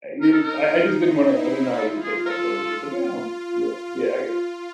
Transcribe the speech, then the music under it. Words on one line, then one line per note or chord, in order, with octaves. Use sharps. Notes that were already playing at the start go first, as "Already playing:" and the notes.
you're I I just didn't wanna I didn't know how you would take that, so I was just like, yeah, yeah, yeah, I get
D#4 A#4
A4
A#4
E4
F4 A4
G#4
F4
A#4
A4
F4